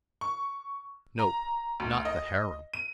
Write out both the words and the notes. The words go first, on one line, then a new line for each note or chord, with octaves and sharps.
Nope, not the harem.
C#6
A#5
D2
D#5
D#7